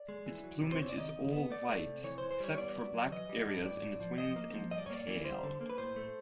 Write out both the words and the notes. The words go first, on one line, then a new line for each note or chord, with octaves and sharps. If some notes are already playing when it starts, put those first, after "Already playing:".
Its plumage is all white except for black areas in its wings and tail.
Already playing: D5
G#3
E3
F#3
C3
C5
E2 C#5
D5
D#3 D#5
D#3
B3
A3 D5
A3
C3
E3 C#5
C5
E3
C5
G3 C#5
C#5
B3 D5
F#3
F#3
E3 D#5
G3
G2
A2 D5
A2
F3
F3 D#5
A#3
F3
G2 D#5
D5
C#5
A#3 D5
E3
G3 C5
D3
A#3
B4
A2 C5
A3